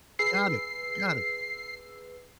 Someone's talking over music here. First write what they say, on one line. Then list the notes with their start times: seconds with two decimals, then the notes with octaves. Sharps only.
Got it, got it.
0.19 G#4 B4 E6 C7